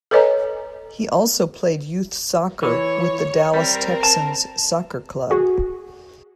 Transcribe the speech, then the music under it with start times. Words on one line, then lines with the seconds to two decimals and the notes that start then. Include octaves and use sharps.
He also played youth soccer with the Dallas Texans Soccer Club.
0.11 A4 B4 C#5 D#5 G#5 A#5
2.63 E3 C#5
3.54 G3 C4 A#4
4.03 A5
5.31 F#4 G#4